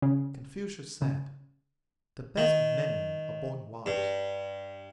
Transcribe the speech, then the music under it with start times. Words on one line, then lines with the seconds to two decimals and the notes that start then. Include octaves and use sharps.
Confucius said, The best men are born wise.
0.02 C#3
1.02 C#3
2.37 D#3
3.86 G2